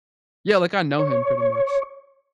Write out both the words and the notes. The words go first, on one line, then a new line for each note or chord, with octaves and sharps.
Yeah like, I know him pretty much.
C#5